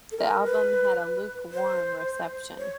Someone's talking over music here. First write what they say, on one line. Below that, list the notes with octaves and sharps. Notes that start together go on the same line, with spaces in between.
The album had a lukewarm reception.
A4
A#4
B4
C5
C#5